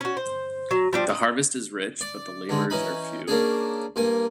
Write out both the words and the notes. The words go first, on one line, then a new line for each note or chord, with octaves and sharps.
The harvest is rich... but the laborers are few.
C#4 F#4
C5
F#3
F3 G3 D4
D#5
D5
G2 D3 G#3
E3 C#4 D#4 B5
A#3 C#4 D4 G#4
G2 A#3 G#5